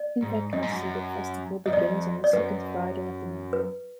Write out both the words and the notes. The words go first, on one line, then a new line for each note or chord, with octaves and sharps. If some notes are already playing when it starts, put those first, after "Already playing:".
In Vaikasi, the festival begins on the second Friday of the month.
Already playing: D5
G#2
F#2 D#5
G#2
F#2
F#2 D#5
F2 D5
D5
F#2 B4
B4